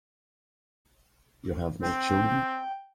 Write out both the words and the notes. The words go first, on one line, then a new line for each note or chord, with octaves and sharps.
You have no children.
C4 G5